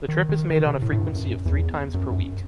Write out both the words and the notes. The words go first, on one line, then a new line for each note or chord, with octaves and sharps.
The trip is made on a frequency of three times per week.
D#3
D#3
D#3
C3
A2
A2
G2
F#2
E2
F#2
F#2